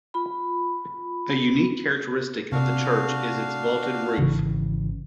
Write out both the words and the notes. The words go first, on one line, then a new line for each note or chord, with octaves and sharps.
A unique characteristic of the church is its vaulted roof.
F4 B5
C3 D4 F#4 F5
G#1 C#3 E3